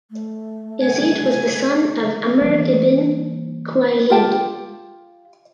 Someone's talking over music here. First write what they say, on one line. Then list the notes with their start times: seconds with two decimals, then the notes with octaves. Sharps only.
Yazid was the son of Amr ibn Khuwaylid.
0.11 A3
0.80 C#3 G#5
2.42 E3 G3 A#3
4.10 F4 G4 G5 A5